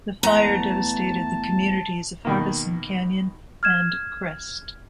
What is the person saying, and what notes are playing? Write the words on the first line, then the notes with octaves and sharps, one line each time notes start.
The fire devastated the communities of Harbison Canyon and Crest.
E2 A3 A5 A#5
B2 D#3 A#3
F6 G#6 E7